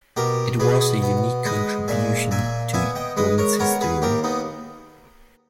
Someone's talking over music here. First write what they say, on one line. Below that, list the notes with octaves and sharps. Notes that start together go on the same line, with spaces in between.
It was a unique contribution to women's history.
B2 G4 A#4
B2 G#4 B4
B3
G#3 B4 D#5
A#2 E5 G#5
A#2 E5 G#5
B3 E5 G#5
D#5 G5
G#3 B4 D#5
A#4 C#5
B3 A#4 C#5
G#4 B4
D#2 G4 A#4
B3 D#4